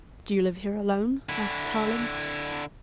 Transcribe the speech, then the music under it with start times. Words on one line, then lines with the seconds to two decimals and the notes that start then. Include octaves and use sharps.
"Do you live here alone?" asked Tarling.
1.29 D3 E4